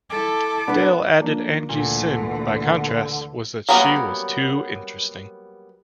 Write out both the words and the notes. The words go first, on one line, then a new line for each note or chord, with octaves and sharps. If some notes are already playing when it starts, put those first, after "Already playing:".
Dale added Angie's sin, by contrast, was that she was too interesting.
E4 A4 D6
B3 D4 B4
F3 A#3 D4
D2 A#2 D3 E3
F#3 G3 A#3 B3 C#4